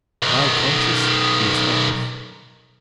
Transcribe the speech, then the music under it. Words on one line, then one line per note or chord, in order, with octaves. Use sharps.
While conscious, he was helpless.
B1 D#3